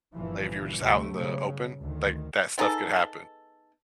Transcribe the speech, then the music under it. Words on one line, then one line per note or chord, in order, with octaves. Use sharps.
like, if you were just out in the open, like, that stuff could happen,
G1 G2 A#2 E3 F3
D2 C3 F#3 G3 A3
G2 C#3
D2 D#3
B3 D#4 G#4 A4